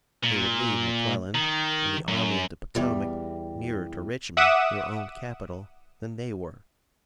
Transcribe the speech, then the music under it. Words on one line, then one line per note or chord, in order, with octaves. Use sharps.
They would leave McClellan and the Army of the Potomac nearer to Richmond, their own capital, than they were.
A#2
D#3
F#2
E2 G3
E5 F#5 D6 D#6 E7